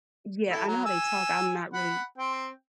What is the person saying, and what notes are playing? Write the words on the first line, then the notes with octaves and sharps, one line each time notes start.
Yeah, I know how they talk, I'm not really
E4 A4
F#3 A#5
G#5 E6
F#5 B5
C4 G5